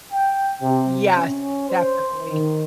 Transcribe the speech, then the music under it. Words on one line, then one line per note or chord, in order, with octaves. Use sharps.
Yes. Definitely.
G5
C3
C#4
C5
D#3